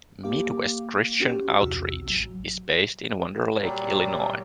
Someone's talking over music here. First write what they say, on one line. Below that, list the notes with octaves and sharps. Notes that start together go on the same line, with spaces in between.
Midwest Christian Outreach is based in Wonder Lake, Illinois.
A#3 G4 F5 D6
C#4 F#4 G4
B1 E2 C3 F#4 E6
A1 F#3
A#2 F#3 G3